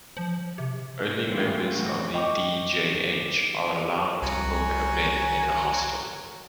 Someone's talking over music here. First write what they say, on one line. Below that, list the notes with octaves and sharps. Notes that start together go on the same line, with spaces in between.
Only members of the DJH are allowed to book a bed in the hostel.
F3
C3
E3 G#3 A3 C4 F4
A2 E3 F#4
D#5 G5 C#6 D6
C2 F#3 G#5